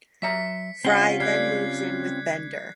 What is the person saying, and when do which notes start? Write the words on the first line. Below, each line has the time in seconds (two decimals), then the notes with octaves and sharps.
Fry then moves in with Bender.
0.22 F#3 E5 A#5 B6 C#7
0.85 C#2 C4 C#4 F4 F#5
1.20 G3 F#6 G#6 C7